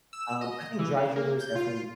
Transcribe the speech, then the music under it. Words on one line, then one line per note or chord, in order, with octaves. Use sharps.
um, I think dry humor is definitely
E6
D#5
E3
C#3
A#3
G6
F4